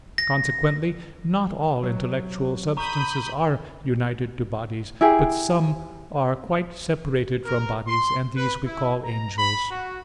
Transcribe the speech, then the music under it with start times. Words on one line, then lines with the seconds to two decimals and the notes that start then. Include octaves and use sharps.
Consequently not all intellectual substances are united to bodies; but some are quite separated from bodies, and these we call angels.
0.18 A#6
1.83 F#3
2.77 A#5 B5 C#6 D#6 G6
5.01 E4 G4 G#4
7.44 A#4
7.86 C6
8.35 B4
8.64 E4
9.03 A#5
9.36 B5
9.70 F#4